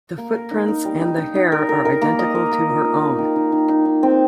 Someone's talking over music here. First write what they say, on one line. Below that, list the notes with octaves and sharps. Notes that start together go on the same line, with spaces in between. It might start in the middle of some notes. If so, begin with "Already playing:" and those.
The footprints and the hair are identical to her own.
A#3
A#4
D#4
D#4
G3
D#4
D#4
D#4
A#4
A#4
A#4
A#3
D#5
A#4
A#3
F4
D#4
D#4
D#3
D#3
D#3
D#4
D#4
C4